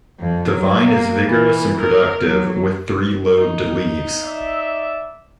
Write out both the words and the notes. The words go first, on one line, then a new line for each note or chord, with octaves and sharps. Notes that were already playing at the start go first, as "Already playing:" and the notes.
The vine is vigorous and productive, with three-lobed leaves.
F2
F#3
A#3
E3
A#4
F#3
D#4
D5 E5